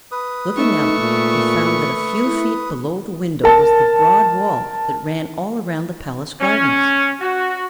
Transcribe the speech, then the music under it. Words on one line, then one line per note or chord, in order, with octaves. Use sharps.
Looking out, he found that a few feet below the window was the broad wall that ran all around the palace gardens.
B4 D#6
A3 D#4 C#6
A#2
E4
A#4 A5
C#4
F#4